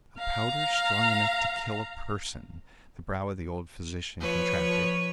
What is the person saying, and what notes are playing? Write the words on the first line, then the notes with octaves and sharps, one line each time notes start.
"A powder strong enough to kill a person?" The brow of the old physician contracted.
F5 A#5
F3 B4 C#5